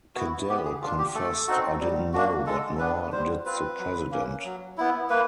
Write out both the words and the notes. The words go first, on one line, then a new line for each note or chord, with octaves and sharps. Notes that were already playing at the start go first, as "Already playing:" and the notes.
Cadell confessed 'I didn't know but nor did the president.
B3 E4 F#4
B3 G4
G#4
D4 F4
G4
A3 A4
C4 D#4 F#4
G3
A#3 D4 F#4
G#3 A4
B3 D4 B4
G3 C5
C4 F4 B4
F#3
A#3 C#4
F#3
B3 E4
A#3 B4